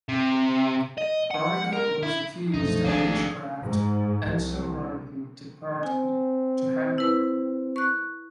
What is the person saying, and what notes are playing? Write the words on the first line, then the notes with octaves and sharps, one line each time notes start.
Bourignon was accused of witchcraft and so hurriedly departed to Hamburg.
C3
D#5
F#5
A#4
E4
C2 F#2 B2 F3 A3 D#4
A1 G#2 C3 D#3 D4 G#4 F5
G#2
C2
C4 G#5
E4 B4
C#6 F#6